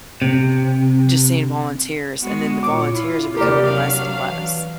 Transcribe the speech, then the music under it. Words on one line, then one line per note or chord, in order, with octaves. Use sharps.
just seeing volunteers and then the volunteers are becoming less and less,
C3
G#3 B3 F#4
A#2 C#5 D6
E4 F4
E2 C3 G4 A#4 D5
F#3 D4 F5
E3